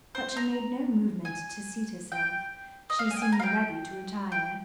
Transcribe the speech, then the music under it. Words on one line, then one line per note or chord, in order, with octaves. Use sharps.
But she made no movement to seat herself; she seemed ready to retire.
C5
A#5
G#5
G5
D#5
F5
G#5
G5
G#5
A#5
F5
G5
G5